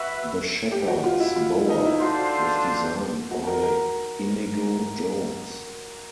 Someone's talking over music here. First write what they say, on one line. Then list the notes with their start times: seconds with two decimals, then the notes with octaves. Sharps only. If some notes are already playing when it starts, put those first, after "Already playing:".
The shepherd's bower was designed by Inigo Jones.
Already playing: F#4 B4 E5
0.71 G4
0.88 F#4
1.04 F4
1.20 E4
1.36 F4
1.53 E4
1.69 D#4
1.85 E4
2.01 D4 F4 F#4 A4 C5
3.31 F#4
3.47 A#4
3.63 A#4